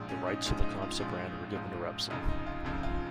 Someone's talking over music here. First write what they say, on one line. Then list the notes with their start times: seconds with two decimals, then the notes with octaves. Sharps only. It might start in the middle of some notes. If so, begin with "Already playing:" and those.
The rights to the Campsa brand were given to Repsol.
Already playing: A#1 G#2 F3
0.09 C#4
0.27 D#4
0.45 A#1 G#2 F3 C#4
0.63 D#4
0.82 F4
1.00 A#1 G#2 F3
1.55 A#1 G#2 F3
2.10 F1 F2 C#3 F3 D#4
2.29 D#4
2.47 F4
2.65 F1 F2 C#3 F3
2.83 F4